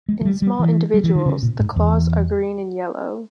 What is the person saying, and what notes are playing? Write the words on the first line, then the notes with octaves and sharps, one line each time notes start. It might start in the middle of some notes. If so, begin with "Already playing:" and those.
In small individuals, the claws are green and yellow.
G#3
E3
G3
G3
E3
G3
E3
D#3
C#3
A#2
G#2
E2